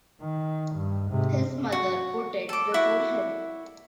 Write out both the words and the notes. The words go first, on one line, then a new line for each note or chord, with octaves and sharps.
His mother put it before him.
D#3
G2
G#2 C3
F#4
A4 D6
E4 F#4